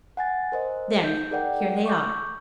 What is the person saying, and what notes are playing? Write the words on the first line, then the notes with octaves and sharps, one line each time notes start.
There now, here they are.
F#5 G#5 A6
A#4 C5 D#5
D#4 G6
G#4 A#4 D5 F#5 G5
C#6 D6 G6